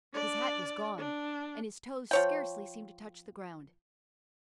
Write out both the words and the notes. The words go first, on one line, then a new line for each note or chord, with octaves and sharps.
His hat was gone, and his toes scarcely seemed to touch the ground.
D4 D5
D4
F3 C#5 G5